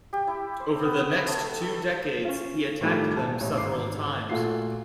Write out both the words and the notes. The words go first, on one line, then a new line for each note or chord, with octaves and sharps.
Over the next two decades, he attacked them several times.
G4
E4
C5
B3
A3
A4
C#4 F4
A2 D#3 F3 G3 A3
E1 A5
A1 C#5
G#1 D6 C7
A#2 A3 F4 F#4 C7